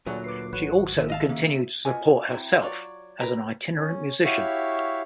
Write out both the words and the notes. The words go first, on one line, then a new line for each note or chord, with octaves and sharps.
She also continued to support herself as an itinerant musician.
D2 A#2 D3 F#3 G#4 D5
B4 D6 C7
G#1 F#4 B4 C#5 F#5
D#3 E5
D#5 F5 A5
C#3 A#3
B3 F4 D#5 G#5
C3 F#3 C4 E4
F#3 F4 C#5 D5
A#4 B4 A#5
C#4
E4 F#4 G4 C#5 E5 F5